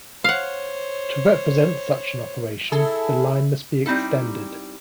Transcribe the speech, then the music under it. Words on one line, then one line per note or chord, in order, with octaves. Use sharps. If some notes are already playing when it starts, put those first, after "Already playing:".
To represent such an operation, the line must be extended.
C5 C#5 F5 F#5
E4 G#4 A4
G3 C4 D#4 E4 A4